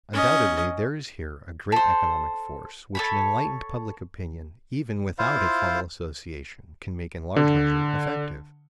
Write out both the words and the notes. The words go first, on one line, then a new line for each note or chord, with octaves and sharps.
Undoubtedly there is here a great economic force which an enlightened public opinion, even without a formal association, can make in large measure effective.
C#4 D#5
A4 C5
A4 C#5 B5
E4 F4 C5 F5
D3